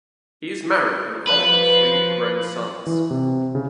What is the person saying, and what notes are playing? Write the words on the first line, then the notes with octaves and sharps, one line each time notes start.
He is married and the father of three grown sons.
F3 B4
E3
C3
C#3